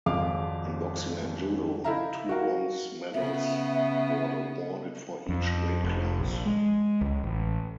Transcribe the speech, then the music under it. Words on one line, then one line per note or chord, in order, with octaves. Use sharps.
In boxing and judo, two bronze medals were awarded for each weight class.
G#1 F2 G#3 F5 D6
D#4 E4 A4 E5 F5 A#5
F#4 A#4 F5
C#3 B3 E5
F2
F1
A#1
G#3
C#2
A1